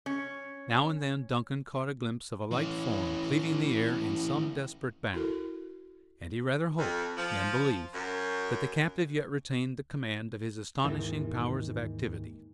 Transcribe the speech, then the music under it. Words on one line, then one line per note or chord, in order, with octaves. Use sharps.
Now and then Duncan caught a glimpse of a light form cleaving the air in some desperate bound, and he rather hoped than believed that the captive yet retained the command of his astonishing powers of activity.
C#4
E3 C#4
E4 F#4 A4 A#4
F2
F3
F#2
D#2 G#2 D#3 E3